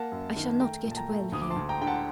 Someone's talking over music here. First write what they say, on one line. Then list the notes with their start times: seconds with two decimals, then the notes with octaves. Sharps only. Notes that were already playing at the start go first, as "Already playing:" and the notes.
I shall not get well here.
Already playing: A#3 F#5 A5
0.12 F#2
0.36 D#3
0.60 A3 G5 A#5
0.84 A#2
0.91 A5
0.96 G5 A#5
1.09 A3
1.32 D2 D#6
1.42 D6
1.50 A5 C6
1.56 D2
1.69 G5 A#5
1.81 D3 G5
1.87 F#5 A5